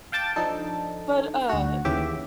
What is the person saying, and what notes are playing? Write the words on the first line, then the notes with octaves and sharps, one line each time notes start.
But, uh,
F5 G5 A5 D6 A6
F3 D4 D#4 A4
D2 F#4
D#2 C#3 E3 G4 E5 D6